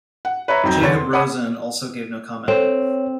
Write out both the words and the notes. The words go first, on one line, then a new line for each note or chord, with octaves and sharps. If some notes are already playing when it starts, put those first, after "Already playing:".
Jacob Rosen also gave no comment.
F#5
B4 C#5 E5 A#5
F2 F#3 D#4 G5 A#5 G6
E2 D3 C#5 A6
C6
C#5 F#5 A5 B5 D6 D#6
C4 A4 C#5